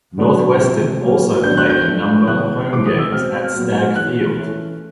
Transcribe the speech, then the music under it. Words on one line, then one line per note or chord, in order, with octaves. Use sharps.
Northwestern also played a number home games at Stagg Field.
D3 F#3 B3 D4
C3 F3 G#3 C4
A2 F#3 A#3 C#4
D#3 F#3 B3 D4 G6
F#6
G6
F3 A3 D4
C#3 E3 G3 B3 F#6
E3 G#3 C4 D6
D#6
E6
B2 G#3 C4 F6
A#2 F#3 B3
E3 G#3 C#4 F#6
E3 A3 C#4